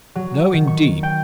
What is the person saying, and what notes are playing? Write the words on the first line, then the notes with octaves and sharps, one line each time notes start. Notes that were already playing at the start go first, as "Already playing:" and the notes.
No, indeed.
F#3
E7
D#3
C#6
G5